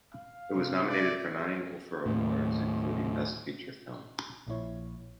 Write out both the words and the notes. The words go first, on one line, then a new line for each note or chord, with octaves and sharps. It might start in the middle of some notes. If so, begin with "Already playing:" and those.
It was nominated for nine Ophir Awards including Best Feature Film.
F5
C3
D5 E5
D#2 A2
A#1 A#2 F3 E4 C#5